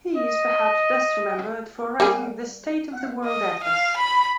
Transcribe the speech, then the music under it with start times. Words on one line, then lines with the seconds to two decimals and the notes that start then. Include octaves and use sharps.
He is perhaps best remembered for writing "The State Of The World Atlas".
0.17 D#5
2.00 G3 A#3 G#4
3.24 D#5
3.63 F5
3.97 B5